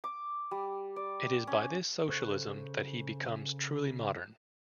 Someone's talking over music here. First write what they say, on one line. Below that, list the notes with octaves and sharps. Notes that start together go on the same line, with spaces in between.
It is by this socialism that he becomes truly modern.
D6
G3
D5
C#4
C#3 A4 C5 C#6 F#6